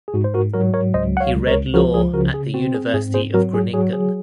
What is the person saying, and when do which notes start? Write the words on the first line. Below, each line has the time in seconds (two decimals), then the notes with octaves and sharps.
He read law at the University of Groningen.
0.08 G#4
0.14 G#2 F#4
0.24 C5
0.34 F#4 A#4
0.54 F#3 F#4 A#4
0.74 A#4 C#5
0.94 C#2 C5 D#5
1.17 F#5
1.20 C#5 F5
1.34 C#2
1.47 A#4 C#5
1.74 F3 F#4 A#4
1.94 G#4
2.14 C#3 F#4 A#4
2.34 G#4
2.54 C4 F#4
2.74 G#4
2.94 G#2 G#4
3.14 G#4 C5
3.34 F#3 F#4 A#4
3.54 G#4
3.74 F#3 G#4
3.93 G#4